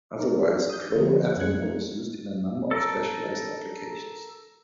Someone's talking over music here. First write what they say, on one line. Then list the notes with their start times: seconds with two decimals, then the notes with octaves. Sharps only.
Otherwise chloroethanol is used in a number of specialized applications.
0.19 D#4 A#4
0.70 D#6 G6
0.94 D3 F3 A3
1.37 F#2 C#4 G#4 F#6 G#6 C#7
1.62 A3 D#4 A#4
2.71 A4 A#4